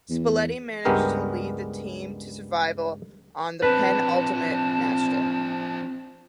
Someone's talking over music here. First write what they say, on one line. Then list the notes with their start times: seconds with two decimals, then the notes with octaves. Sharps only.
Spalletti managed to lead the team to survival on the penultimate matchday.
0.09 E2
0.85 C#2 G2 G#3 B3 G4 A#4
3.62 F3 C4 D4 B4 A5